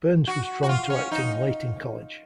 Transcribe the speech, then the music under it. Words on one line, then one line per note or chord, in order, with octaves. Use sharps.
Burns was drawn to acting late in college.
F#4
F#4
F4
C#4
D#4